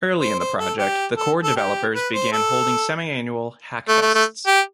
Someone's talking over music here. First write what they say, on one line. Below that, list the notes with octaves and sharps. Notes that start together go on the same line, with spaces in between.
Early in the project, the core developers began holding semi-annual "Hackfests".
C5
C5
A4
G4
A4
A4
G4
B4
C5
A4
A3
A3
A3
G4